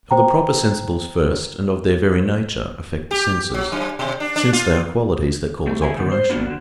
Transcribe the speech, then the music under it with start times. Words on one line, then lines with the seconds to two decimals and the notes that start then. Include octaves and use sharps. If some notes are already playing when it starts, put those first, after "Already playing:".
For the proper sensibles first, and of their very nature, affect the senses; since they are qualities that cause alteration.
0.11 C5 G5 A#5
3.11 G4
3.54 F#3
3.72 F#2
3.99 B2
4.20 D4
4.36 D4
4.53 F4
5.67 A3
5.82 G#4 E5 G#5
5.96 B2 D3 D#3
6.11 C5
6.29 F#3 A#3 B3 D4 F4 F#4
6.46 D3 F#4